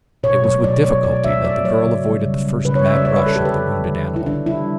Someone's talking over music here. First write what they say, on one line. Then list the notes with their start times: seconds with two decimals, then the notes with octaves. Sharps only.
It was with difficulty that the girl avoided the first mad rush of the wounded animal.
0.23 B2 C#5
0.44 F#3 A3 C#5
0.63 B2 D5
0.84 F#3 C#5
0.88 A3
1.04 B2 D5
1.24 F#3 A3 E5
1.45 B2 D5
1.65 F#3 A3 C#5
1.84 C#3
2.05 G3
2.25 C#3
2.45 G3
2.65 C#3 B4
2.75 C#5
2.85 G3 E5
2.95 D5
3.05 C#3 C#5
3.16 B4
3.25 G3 A4
3.36 G4
3.45 D3 B4
3.67 G3
3.86 D3
4.07 G3
4.16 E4
4.26 D3 D4
4.46 G3 E4